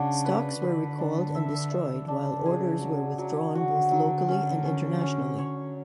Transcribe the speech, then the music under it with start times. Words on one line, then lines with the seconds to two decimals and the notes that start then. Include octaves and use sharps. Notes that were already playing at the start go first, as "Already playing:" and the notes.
Stocks were recalled and destroyed while orders were withdrawn both locally and internationally.
Already playing: C#3 D4 F#4
0.25 B4
0.62 D3 B4
0.98 D4
1.35 E5
1.71 E5
2.08 C#3 D4
2.45 G#4
2.81 F#3
3.18 F#3
3.54 D3 F#4
3.91 F#3
4.28 C#4
4.65 C#4
5.01 C#4
5.39 C#5